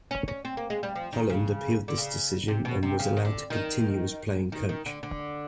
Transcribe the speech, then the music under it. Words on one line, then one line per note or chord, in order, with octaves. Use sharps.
Holland appealed this decision and was allowed to continue as playing coach.
C#4
C#4
C4
A#3
G#3
G3
F3
D#3
C#3
D3
C#3
C3
B2
C3
C#3
D#3
D3
D#3
D#3
D#3
D3
D3